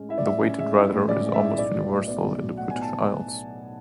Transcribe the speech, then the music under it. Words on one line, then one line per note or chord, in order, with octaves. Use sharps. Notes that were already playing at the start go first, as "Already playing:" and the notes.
The weighted rudder is almost universal in the British Isles.
Already playing: A2 G#3 C#4
E4 E5
D5
A2 E5
C#4
G#3 E5
E4
A2
C#4 D5
G#3
E5
E4
B1 D5
F#3
D5
A2
B3 D5
B1
F#3
A2 F#5
B3 G#5
A5